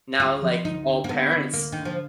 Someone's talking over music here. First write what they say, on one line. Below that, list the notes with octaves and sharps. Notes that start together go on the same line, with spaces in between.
now, like, all parents
D2 F4
F3
D2 D#4
D3
A#3
D3 B3
D3
D2 A#3
D3 D#3
F3